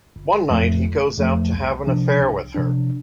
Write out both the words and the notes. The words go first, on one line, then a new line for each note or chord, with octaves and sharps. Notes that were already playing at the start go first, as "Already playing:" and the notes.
One night, he goes out to have an affair with her.
G1
F2 F3 A3
G1
F2 F3 A3
C2
C3 F3 D4
C2
C3 F3 D4